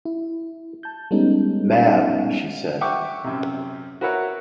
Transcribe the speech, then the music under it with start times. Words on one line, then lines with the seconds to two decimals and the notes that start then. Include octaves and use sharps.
Mab, she said.
0.05 E4
0.83 A5 G6
1.11 G3 G#3 B3 C#4 D#4 A4
2.81 E5 F#5 G5 C#6 D6
3.24 F#2 C3
4.01 F#4 A#4 B4 C#5 E5 F#5